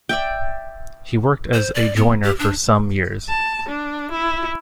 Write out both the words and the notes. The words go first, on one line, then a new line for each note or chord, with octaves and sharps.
He worked as a joiner for "some years".
D5 E5 G5
C5
D5
B3
G4
D4
A5
D4
E4